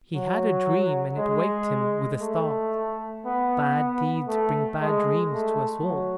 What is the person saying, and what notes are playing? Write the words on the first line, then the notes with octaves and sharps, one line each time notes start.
He had a dream and it waked him with a start. Bad deeds bring bad dreams to us all.
F#3
G#3
A3
B3
A3
G#3
A3
F#3